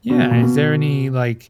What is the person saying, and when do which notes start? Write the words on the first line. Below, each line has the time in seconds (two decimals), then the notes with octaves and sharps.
Yeah, is there any, like,
0.10 B2
0.31 A#2
0.42 B2